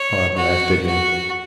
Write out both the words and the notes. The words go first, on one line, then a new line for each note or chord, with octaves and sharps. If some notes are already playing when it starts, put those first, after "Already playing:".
Pod laughed at him.
Already playing: C#5
F#4
F#4